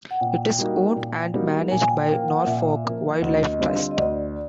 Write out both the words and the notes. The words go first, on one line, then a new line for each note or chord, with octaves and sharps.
It is owned and managed by Norfolk Wildlife Trust.
F#5
A#2 G5
G3 A#3 D#4 F#4
A#2
G3 A#3 D#4 F#4
A#2 G#5
G5
F3 A#3 G5
F#5
A#2 E5
F3 A#3
D2 D#5
D3 G3 C4 F4
D#5
D2 D5